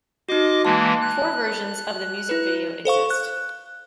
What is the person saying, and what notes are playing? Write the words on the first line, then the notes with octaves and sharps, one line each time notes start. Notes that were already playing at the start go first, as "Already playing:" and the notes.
Four versions of the music video exist.
D#4 F#4 D#5 D6
E3 G#3 A#3 A5
F#6
E4 B4
A4 C5 F5 C#6
F#6